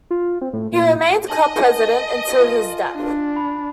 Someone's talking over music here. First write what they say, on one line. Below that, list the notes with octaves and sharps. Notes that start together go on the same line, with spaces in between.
He remained club president until his death.
F4
C4
A2
A#2
D#4 D#5 G#5 A5 F#7
D#6
F4
D4
B5